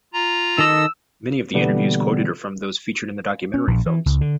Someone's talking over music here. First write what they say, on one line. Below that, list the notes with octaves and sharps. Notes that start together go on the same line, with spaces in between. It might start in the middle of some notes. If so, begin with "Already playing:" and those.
Many of the interviews quoted are from those featured in the documentary films.
F4 A#5
D#3 A4 D#5 E6
B2 D3 E3 G3 A#3 B3
C#4
A#1
E3
C#2
D3